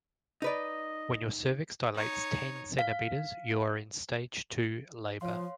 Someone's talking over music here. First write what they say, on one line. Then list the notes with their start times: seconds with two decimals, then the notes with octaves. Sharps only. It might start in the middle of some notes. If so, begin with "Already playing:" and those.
When your cervix dilates ten centimetres you are in stage two labour.
0.42 D#4 B4 D5 D#5
1.95 D#4 C#5
2.79 F5
5.21 F3 C#5 F5 C6